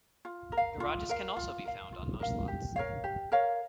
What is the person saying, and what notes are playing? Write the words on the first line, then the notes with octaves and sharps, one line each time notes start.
Garages can also be found on most lots.
F4
A#4
F5
F4
A#4 F5
F4
A#4 F5
F4
A#4 F5
G4
A#4 C#5 F5
G4
A#4 C#5 F5